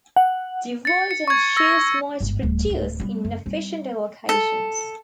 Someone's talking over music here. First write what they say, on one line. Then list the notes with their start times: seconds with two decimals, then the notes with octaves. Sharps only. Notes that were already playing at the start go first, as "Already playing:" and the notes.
Divide-and-choose might produce inefficient allocations.
0.16 F#5
0.85 A6 C#7
1.11 C#7
1.28 C#6 G#6
1.57 E6 A#6
2.20 G1 G#2
2.42 D1 G3
2.70 D1
3.00 G3 B3
3.25 F#1
3.46 G3 C4
4.29 A4